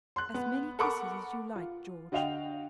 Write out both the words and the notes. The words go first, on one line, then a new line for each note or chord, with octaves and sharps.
"As many kisses as you like, George."
C6 F#6
B3
A4 A#4 F#5 B5 C#6 D6
F4
D3 F#4 D#5 F5 G5 F7